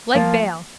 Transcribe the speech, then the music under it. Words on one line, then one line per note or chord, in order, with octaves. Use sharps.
Leg bail.
F3 A#3 F4